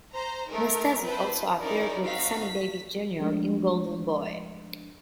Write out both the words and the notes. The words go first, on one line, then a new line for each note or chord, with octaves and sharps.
Nastasi also appeared with Sammy Davis Junior in "Golden Boy".
C5 A#5
A3 D#4 A#4
C4 E4 B4 C5 A5
C#4 D#4 E4 A#4 D5
C4 D#4 F#4 F5 B6
B6
F3 G#3 A3 D4